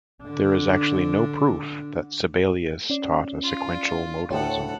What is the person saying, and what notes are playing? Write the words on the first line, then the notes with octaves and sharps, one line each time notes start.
There is actually no proof that Sabellius taught a sequential modalism.
D3 D4
C#4 D5
F4
D2 A2 A4 C#5 F#5 G5